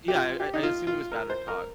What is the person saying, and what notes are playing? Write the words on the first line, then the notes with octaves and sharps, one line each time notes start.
Yeah, I I I assume it was battered cod.
G4
F4
G4
D#4
F4
F4
A#4
C5
A#4